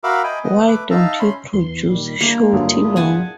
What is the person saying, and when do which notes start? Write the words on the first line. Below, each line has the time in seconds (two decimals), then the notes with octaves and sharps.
Why don't you produce Shorty Long?
0.04 F#4 A#4 E5 F5 B5 D6
0.24 D#5 G5 G#5 B5
0.44 B3 D#5
0.67 A3 B4 D6
0.91 D#4 E5 F5 A5 A#5
1.20 C#4 B5 C6
1.53 E2 E3 C6
1.86 A#2 D#3 G3
2.21 A#3 D4 E4
2.53 G2 D3 F#3 F4 G#4
2.96 F#5 G#5 A5